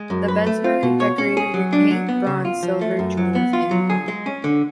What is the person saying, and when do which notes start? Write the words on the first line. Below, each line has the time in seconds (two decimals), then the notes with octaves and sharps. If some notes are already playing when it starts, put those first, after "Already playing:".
The beds were decorated with paint, bronze, silver, jewels and gold.
Already playing: G#3
0.10 F#2
0.28 B4
0.47 A3
0.64 F4
0.83 B2
1.00 C#5
1.18 C#4
1.37 G#4
1.54 F#3
1.73 D4
1.91 F#3
2.09 B3
2.27 C#3
2.45 F4
2.63 F3
2.81 A3
2.99 F#2
3.17 F#3
3.35 B3
3.53 F4
3.71 F#3
3.90 G#4
4.08 G#3
4.26 C#4
4.44 D3